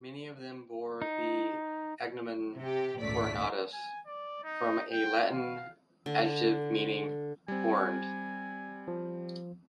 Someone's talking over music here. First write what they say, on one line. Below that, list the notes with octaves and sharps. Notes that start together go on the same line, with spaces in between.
Many of them bore the agnomen "Cornutus", from a Latin adjective meaning "horned".
D#4
C3 G4
G#1 C#2 A#2 A3 D5 B6
G#5
D5
D#4
G5
F5
D3
G3 C4 G#5
F3